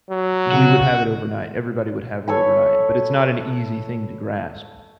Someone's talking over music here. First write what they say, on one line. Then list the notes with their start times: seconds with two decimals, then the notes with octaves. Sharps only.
we would have it overnight, everybody would have it overnight, but it's not an easy thing to grasp,
0.11 F#3
0.52 C#3 F#4
2.27 A4 C#5 G#5 B5